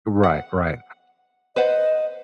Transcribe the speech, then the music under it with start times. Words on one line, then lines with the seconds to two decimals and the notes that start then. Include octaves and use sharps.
Right, right.
0.23 F#5
1.56 B4 C5 D#5 F#5